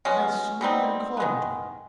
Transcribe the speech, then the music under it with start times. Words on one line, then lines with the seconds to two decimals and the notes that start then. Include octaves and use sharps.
I soothed and calmed her.
0.05 B2 G#3 C#4
0.61 B2 G3 C4 D#4
1.17 D#3 G#3 B3